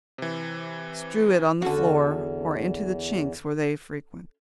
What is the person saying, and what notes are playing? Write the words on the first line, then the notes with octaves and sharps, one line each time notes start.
Strew it on the floor, or into the chinks where they frequent.
C3 E3
E2 D3 C#4 F#4 A4